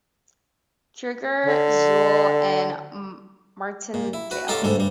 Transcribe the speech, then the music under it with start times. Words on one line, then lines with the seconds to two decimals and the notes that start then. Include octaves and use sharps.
Krueger, Zuehl, and Martindale.
1.46 D3
3.94 A#2
4.13 E4
4.31 F#4 B4
4.48 D#4 F4 G4 A4 C#5 A5
4.62 D2 G#2 G3 A4
4.76 G2 G3